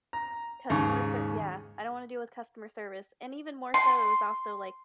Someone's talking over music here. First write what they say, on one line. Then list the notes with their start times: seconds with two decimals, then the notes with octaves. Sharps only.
customer ser" Yeah, I don't wanna deal with customer service, and even more so it was also, like,
0.13 A#5
0.70 D#2 G#2 C#3 C#6
3.74 C6